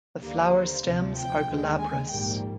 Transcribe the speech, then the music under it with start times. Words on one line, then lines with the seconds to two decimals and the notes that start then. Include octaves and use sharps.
The flower stems are glabrous.
0.18 D#2 D3 G3 A#3
0.50 C5
0.83 D2 C3 F3
1.15 G5
1.46 D#2 D3 G#3
1.78 G#5
2.10 A#1 G#2 G3 A#3 G5